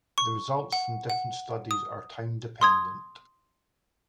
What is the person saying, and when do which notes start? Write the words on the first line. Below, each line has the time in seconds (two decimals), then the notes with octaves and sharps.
The results from different studies are time dependent.
0.18 C#6
0.73 F#5
1.10 F#5
1.71 D#6
2.61 C6 D#6 G#6